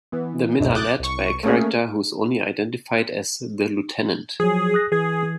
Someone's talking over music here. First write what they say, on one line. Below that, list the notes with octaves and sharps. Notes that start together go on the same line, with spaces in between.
The men are led by a character who is only identified as "the Lieutenant".
E3 B3
G#1 C#2 F#2 B2 F#3
D6 D#6 F#6 G6 A6
C2 C#6
A3 A#3 C#4 G#4
F3 F#3 G#4
D#6 F#6 A#6
E3 G#4 G#6